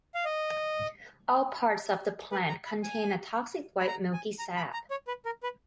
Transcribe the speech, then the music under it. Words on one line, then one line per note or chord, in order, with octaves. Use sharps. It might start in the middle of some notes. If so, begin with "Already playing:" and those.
All parts of the plant contain a toxic white milky sap.
F5
D#5
B4
A#5
B5
G#5
B5
A#5
G#5
A#5
B5
A#5
C#5
B4
A#4
B4